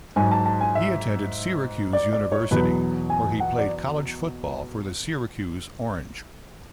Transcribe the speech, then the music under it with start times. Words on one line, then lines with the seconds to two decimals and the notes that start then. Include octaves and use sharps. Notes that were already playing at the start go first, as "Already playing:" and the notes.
He attended Syracuse University, where he played college football for the Syracuse Orange.
0.16 G#2 F#3 G#5
0.31 A5
0.46 A5
0.61 G#5
0.75 E5
1.93 D5
2.13 D5
2.32 C#5
2.51 E2 B2 F#3 B4
3.10 G#5
3.40 F#5
3.58 D5